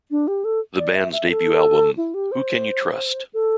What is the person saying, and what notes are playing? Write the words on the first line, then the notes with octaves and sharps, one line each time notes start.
The band's debut album, Who Can You Trust?
D4
G4
A4
D5
E5
E5
A4
E4
G4
C5
A4